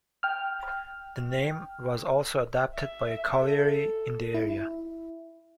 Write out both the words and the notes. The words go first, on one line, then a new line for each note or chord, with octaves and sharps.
The name was also adopted by a colliery in the area.
G5 F6
E5
A4
E4